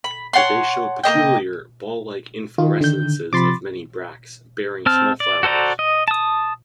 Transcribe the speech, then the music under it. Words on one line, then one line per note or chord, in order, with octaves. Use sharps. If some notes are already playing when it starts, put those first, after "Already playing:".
They show peculiar, ball-like inflorescences of many bracts, bearing small flowers.
B5
C#5 F#5 A5 C6
A#3 B3 D#5 G5
D#3 F4
D3 G6
C3 F3 B5 C6 D6 A6
C4 A5 F6
D5
F#4 A4 C5 D5 A#5
D#5
A5 D#6